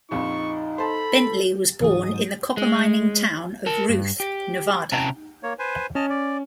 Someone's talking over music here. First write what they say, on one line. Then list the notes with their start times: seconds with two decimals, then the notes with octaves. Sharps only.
Bentley was born in the copper-mining town of Ruth, Nevada.
0.11 A#1 F2 C4 D#4 C#6
0.78 A4 C5 A5 B5
1.80 C#2 G#2 E3 F#3 G#4 D#6
2.57 G#3
3.66 A#4 A5
3.89 G2
4.20 G4
4.92 C3 C#4 G5 A5 A#5
5.43 A#3 C#5
5.59 B4 C5 G#5
5.95 C#4 D#5 A5 F6
6.10 D5